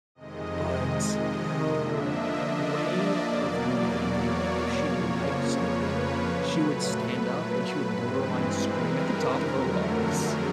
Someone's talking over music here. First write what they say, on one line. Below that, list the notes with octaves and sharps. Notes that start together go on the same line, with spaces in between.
but her way of behaving, like, if she liked something, she would stand up and she would borderline scream at the top of her lungs.
F2 C3 D#3 G#3 D#5
D3 F3 A#3 D4 E5
D#5
D5
E2 B2 F#3 A#3
C#5
F2 C#3 F3 A#3
B4
A#2 F#3 A3
B4
G2 E3 G#3 C4
A#4
F2 D3 F#3 A3
G#4